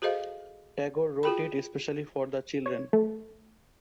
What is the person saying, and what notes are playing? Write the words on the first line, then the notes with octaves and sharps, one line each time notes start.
Tagore wrote it especially for the children.
F#4 G#4 A4 C5 D#5 F5
F4 F#4 G#4 G5 B5
C#5
A3